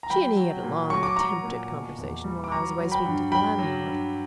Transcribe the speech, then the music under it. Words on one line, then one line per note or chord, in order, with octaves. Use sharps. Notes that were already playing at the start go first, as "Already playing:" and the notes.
'She and he had a long attempt at conversation, while I was away speaking to the landlord.'
A#5
F#3 G5 B5
F#3
A#2
F#3 C#6
D6
F#3 A#5 C#6
A#2
B2
E2
G3
D6
F#3 A#5 C#6
F#3
G5 B5
G2
F#3 G5 B5
F#3
G2